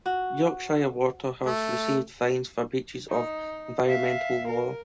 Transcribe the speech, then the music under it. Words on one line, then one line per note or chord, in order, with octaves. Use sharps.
Yorkshire Water has received fines for breaches of environmental law.
F#4
A3
D#4
E5 F5
A#4